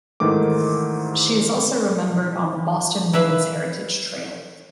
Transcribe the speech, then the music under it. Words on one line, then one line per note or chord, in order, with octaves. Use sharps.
She is also remembered on the Boston Women's Heritage Trail.
G#2 D#3 E3 A3 D6
E3 B4 E5 F5